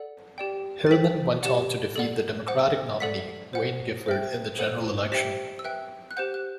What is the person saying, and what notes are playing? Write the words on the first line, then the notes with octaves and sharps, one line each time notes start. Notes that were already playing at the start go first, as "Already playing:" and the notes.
Hillman went on to defeat the Democratic nominee, Wayne Gifford, in the general election.
Already playing: A4 D5 F#5
G4 D5 G5
A6
A4 C5 G5 B6
G4 D5 F#5
A4 D5 F#5
C5 F#5
A4 D5 F#5 B6
C5 F#5
C5 E5 G5
A4 C5 F#5
G4 C5 E5 G5 B6
E6
B4 E5 G5 F#6
F#6
G4 C5 F#5 G6
F#6